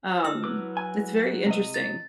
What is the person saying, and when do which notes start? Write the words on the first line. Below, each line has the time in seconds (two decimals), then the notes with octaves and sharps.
Um, it's very interesting.
0.24 E4 E6 F6
0.44 F#3 B4 D6
0.77 G#5
1.47 C3 D#5
1.74 A6